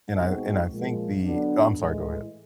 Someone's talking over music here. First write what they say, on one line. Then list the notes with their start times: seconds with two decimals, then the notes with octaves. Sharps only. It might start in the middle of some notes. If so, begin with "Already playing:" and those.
And I and I think the Oh, I'm sorry, go ahead.
0.16 B2 G#3 C4 D#4 F#4
0.70 A#2 F3 G#3
1.23 D3 F#3 B3 D4
1.77 A2 E3 G#3